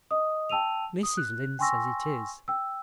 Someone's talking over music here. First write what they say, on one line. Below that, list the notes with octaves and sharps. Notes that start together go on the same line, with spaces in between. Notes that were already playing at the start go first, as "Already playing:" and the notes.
Mrs. Lynde says it is.
D#5 D#6
G5 A5 E6 D#7 F7
D#6
F#6
G5 G#5 C6 C#6 E6 A#6
G5 E6